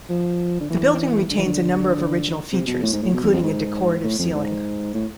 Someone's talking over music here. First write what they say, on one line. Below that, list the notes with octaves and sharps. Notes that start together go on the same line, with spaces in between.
The building retains a number of original features, including a decorative ceiling.
F3
D3
E3
D3
E3
D3
C3
B2
A2
G#2
A2
B2
E2
F2
G#2
A2
F2
G#2
A2